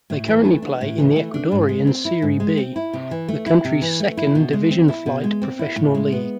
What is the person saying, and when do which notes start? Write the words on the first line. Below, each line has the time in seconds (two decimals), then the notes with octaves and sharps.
They currently play in the Ecuadorian Serie B, the country's second division-flight professional league.
0.10 A2
0.28 E3
0.45 A3
0.62 D4
0.81 A2
0.98 E3
1.16 A3
1.34 D4
1.52 G#2
1.69 G#3
1.87 C4
2.05 E4
2.22 G#2
2.40 G#3
2.57 C4
2.76 E4
2.93 C3
3.11 E3
3.28 A3
3.46 E4
3.65 C3
3.82 E3
4.00 A3
4.17 E4
4.35 B2
4.53 G#3
4.71 C4
4.88 E4
5.06 B2
5.24 G#3
5.42 C4
5.59 E4
5.77 A2
5.95 G#3
6.12 B3